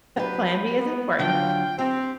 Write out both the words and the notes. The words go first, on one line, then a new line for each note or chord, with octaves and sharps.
plan B is important,
F#3 D4 G4 B4
B3
D3 F#3 F4 G5
C4 G4